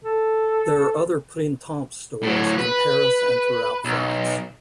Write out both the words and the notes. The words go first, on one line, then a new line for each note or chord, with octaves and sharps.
There are other Printemps stores in Paris and throughout France.
A4
A2 F#3
B4
B1